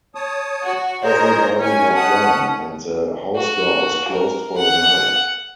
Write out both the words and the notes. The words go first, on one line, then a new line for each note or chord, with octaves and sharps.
Everybody had gone, and the house door was closed for the night.
C#5 A5 D#6
F#4
G#4 A#4 C5 C#5 D#5 A#5
D#3 C#4 C#5 G#5
F#5 A5 D#6
F#4
A#4
F#5